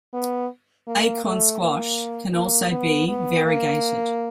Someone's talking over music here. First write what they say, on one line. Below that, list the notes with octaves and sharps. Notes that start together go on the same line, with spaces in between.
Acorn squash can also be variegated.
B3
A#3
A3
A#3
A#3
B3
B3
A#3